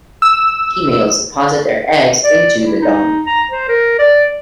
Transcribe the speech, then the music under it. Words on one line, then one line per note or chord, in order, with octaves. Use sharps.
Females deposit their eggs into the dung.
E6
D5
E4
D#4
A#5
C5
A#4
D5